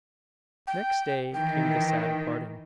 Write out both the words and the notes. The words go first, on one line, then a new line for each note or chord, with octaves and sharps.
Next day came the sad parting.
G5
D#3 E3 G5